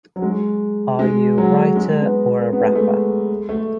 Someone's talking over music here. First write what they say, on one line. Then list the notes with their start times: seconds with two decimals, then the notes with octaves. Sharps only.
Are you a writer or a wrapper?
0.16 F#3
0.22 G#3
0.99 G#3
1.38 F#3
1.76 G#3
2.01 B3
2.53 B3
2.60 A3
2.68 G#3
2.75 A3
3.49 A3